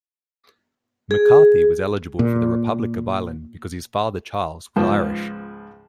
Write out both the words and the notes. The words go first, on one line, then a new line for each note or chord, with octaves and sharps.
McCarthy was eligible for the Republic of Ireland because his father, Charles, was Irish.
G#4
A#2
C#2 G#2 F3 B3